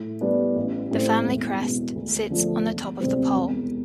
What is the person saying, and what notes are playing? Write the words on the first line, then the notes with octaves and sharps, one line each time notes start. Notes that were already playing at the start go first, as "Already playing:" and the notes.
The family crest sits on top of the pole.
Already playing: A2
G3 B3 D4
A1
A2 G3 C4
E1
E2 B2
D2
D3 F3 A3
E1
D2 C3 G3 C4
E1